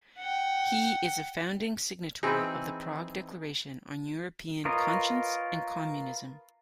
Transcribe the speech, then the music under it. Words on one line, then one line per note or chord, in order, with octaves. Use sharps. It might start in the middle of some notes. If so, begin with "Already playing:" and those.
He is a founding signatory of the Prague Declaration on European Conscience and Communism.
F#5 G5
E3 C4 D#4 G#4 B5
F4 A#4 B4 C#5 D#5